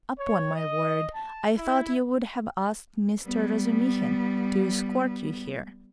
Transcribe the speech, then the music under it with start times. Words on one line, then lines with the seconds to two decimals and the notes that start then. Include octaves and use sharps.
Upon my word, I thought you would have asked Mr. Razumihin to escort you here.
0.18 C#5
0.55 D#5
1.15 A5
1.57 E4
3.25 G3 B3